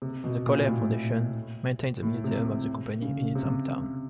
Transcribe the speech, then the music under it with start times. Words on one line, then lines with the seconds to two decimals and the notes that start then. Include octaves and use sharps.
The CallAir Foundation maintains a museum of the company in its hometown.
0.02 C3
0.24 B2
0.46 A#2
0.68 A2
2.03 A2
2.24 C3
2.47 C3
3.02 C#3
3.35 C3